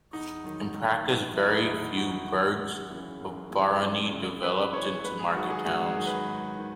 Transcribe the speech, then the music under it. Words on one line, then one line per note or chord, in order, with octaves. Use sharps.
In practice very few burghs of barony developed into market towns.
E2 D#4
D#3 F#3
E2
D#3 F#3
E2 E4
D#4
D#3 F#3 E4
E2 F#4
D#3 F#3
F#2
C#3 E3
F#2
C#3 E3
F#2
C#3 E3
F#2 B4
C#3 E3 C#5
G#2 B4
G#4
D#3 F#3 F#4
G#4
G#2 F#4
G#4
D#3 F#3
B4
G#2
D#3